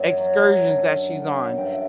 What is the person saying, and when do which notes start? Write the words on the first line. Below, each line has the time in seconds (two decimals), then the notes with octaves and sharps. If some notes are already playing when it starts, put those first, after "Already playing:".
excursions that she's on.
Already playing: F#2
0.18 F#3
0.65 D3
1.11 F#2
1.57 G2 E5 G5